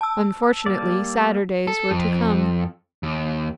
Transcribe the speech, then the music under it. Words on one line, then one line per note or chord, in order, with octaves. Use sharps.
Unfortunately sadder days were to come.
A5 E6
G3 A#3 D5
A4
F2
D#2